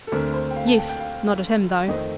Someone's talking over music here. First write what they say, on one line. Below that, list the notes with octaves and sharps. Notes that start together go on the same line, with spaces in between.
'Yes; not at him, though.
A4
D2 D3 A3 C4 A#4
C5
G5
F5
A5
G5
G5
F5
F2 D#3 A3 C4 D#5